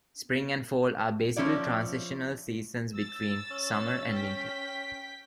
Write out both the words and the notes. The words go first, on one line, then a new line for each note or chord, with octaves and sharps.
Spring and fall are basically transitional seasons between summer and winter.
F3 A#3 C#4 E4 D5
E6 A6
C#4
G5 B6